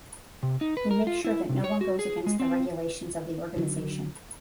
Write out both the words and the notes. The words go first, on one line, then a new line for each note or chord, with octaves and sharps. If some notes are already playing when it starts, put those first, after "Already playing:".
He makes sure that no one goes against the regulations of the organisation.
C3
D#4
B4
A#4
F4
E4
C3
C#5
F#4
G#4
G#3
C4
D3 F#3